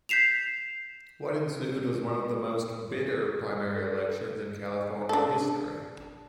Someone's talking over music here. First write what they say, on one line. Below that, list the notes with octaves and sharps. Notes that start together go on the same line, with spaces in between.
What ensued was one of the most bitter primary elections in California history.
G6 B6 C7 E7 F7
A4
D4 A4